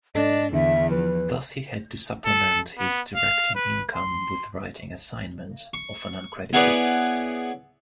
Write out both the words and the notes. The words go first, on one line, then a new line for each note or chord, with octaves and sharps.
Thus, he had to supplement his directing income with writing assignments, often uncredited.
G#2 D4 A4 D#5
E2 D3 E5
F3 B4
A4
B3
F5
B4
C6
C#6
B3 E4 G#4 B4 C#5 D5